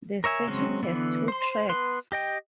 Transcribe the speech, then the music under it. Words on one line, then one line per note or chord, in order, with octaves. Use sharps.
The station has two tracks.
A#4 C#5 E5 G#5
F#3 G#3 C4 C#4
D3 E3 B3
C5 C6
B3 B4 C6
G4 D#5 G5